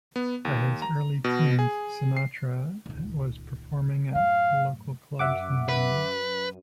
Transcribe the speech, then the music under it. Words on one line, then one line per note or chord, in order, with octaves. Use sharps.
By his early teens, Sinatra was performing at local clubs and venues.
B3
D#2
A#5
B2
G#4
C7
D#1 C#2
F#2 A2 F5
F#2 E5 F#5 D6
B4